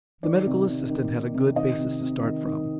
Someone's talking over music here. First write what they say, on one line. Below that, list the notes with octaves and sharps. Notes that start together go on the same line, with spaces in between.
The medical assistant had a good basis to start from.
D#3 D5
C3
C3
D#3
D#3
C3
D#3 D#5
C3
C3
D#3
D#3